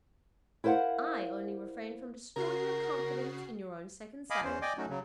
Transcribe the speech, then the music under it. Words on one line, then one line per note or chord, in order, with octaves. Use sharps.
"I only refrained from destroying your confidence in your own second-sight."
E4 A#4 C5 F5 F#5
C#3 F#4 A#4 C7
D#5 F5 G#5 B5 D6 D#6
E2 E3 C#4 C5
D5 D#5 G5 G#5 D6
F#3 A3 C#4 D#4 F#4
C#3 F#3